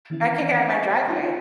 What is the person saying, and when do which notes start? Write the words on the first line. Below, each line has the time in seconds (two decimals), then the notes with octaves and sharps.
but I can't get out of my driveway.
0.10 D#3 E3 B3 C#4 E4
0.69 C5 D#5 G#5 A#5 C#6
1.08 D4 D#4 F4 F#4 C5 C#5